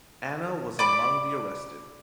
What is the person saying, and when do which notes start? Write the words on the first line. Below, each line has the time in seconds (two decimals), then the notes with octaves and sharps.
Anna was among the arrested.
0.79 D5 B5 D6